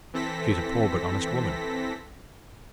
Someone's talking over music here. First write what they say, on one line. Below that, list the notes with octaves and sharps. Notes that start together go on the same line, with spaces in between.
She is a poor but honest woman.
E3 C4 A4 A#6 B6